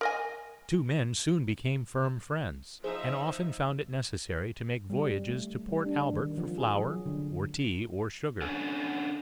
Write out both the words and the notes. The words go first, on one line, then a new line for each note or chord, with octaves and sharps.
The two men soon became firm friends, and often found it necessary to make voyages to Port Albert for flour, or tea, or sugar.
A#4 D#5 G#5
F3 D#4 G#4 C5 E5 G6
G3
A3
G3
D4
D#3
F3
G#4
F#3
D3
C#4 D4 A4 F#5 G#5